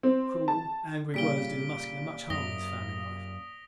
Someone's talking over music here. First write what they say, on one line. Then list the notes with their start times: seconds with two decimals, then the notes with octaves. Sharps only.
Cruel, angry words do the Muscular much harm in his family life.
0.03 C4
0.48 A5
1.14 A#2 C#3 G3 B6 D7 G7
2.30 F#2 D#6 A#6 G7